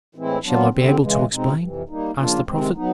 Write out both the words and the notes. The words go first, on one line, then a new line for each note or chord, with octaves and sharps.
"Shall I be able to explain?" asked the prophet.
A2 E3 G#3 C4 E4
F#3 B3 D4 F4
D3 G3 C4
C#3 E3 G#3
B2 G#3 C4 D#4
F2 C3 E3
G3 A#3 D#4
C#3 F3 A#3 D4 F4
C3 D#3 G#3 C4
F#3 B3 D#4